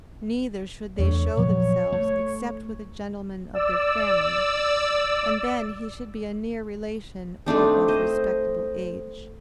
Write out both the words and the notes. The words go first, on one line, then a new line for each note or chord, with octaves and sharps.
Neither should they show themselves except with a gentleman of their family, and then he should be a near relation or of respectable age.
E2 A3 D4 C#5
A#2 F3 F#3
A3
D5 E6
A3 C4 D4 D#4
C5 D#5